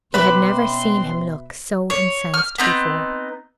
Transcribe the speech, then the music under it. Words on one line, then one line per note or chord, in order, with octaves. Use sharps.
She had never seen him look so incensed before.
B2 C4 C#4 B4 E5 B5 C6 D6
C#5
F6
B3 C4 D#4